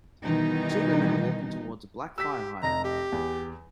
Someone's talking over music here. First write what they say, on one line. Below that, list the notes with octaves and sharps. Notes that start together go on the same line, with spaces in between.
Two women are walking towards a black fire hydrant.
B2 D#3 E3 G3 D#4
G4 E6 B6
F1 D#5 A#5 A#6
G4
E2